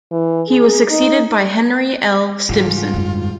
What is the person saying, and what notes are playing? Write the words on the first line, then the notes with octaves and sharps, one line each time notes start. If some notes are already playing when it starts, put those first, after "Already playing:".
He was succeeded by Henry L. Stimson.
E3
G#4
D#4
G#2 C#3 E3 G3 F4
F#2 D3